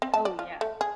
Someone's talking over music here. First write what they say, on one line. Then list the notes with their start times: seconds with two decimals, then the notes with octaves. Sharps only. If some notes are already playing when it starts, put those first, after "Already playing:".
Oh, yeah.
0.02 C4
0.14 A5
0.25 D5
0.39 F4
0.61 A3
0.81 G#4